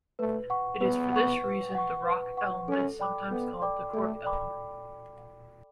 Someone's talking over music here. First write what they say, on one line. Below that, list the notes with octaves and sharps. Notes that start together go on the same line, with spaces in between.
It is for this reason the rock elm is sometimes called the cork elm.
A3 B4
F#5 C#6
B3 B4
F#5 C#6
B4
F#5 C#6
B4
F#5 C#6
C#4 A4
D5 G5 B5 D6
B3 A4
D5 G5 B5 D6
A3 A4
D5 G5 B5 D6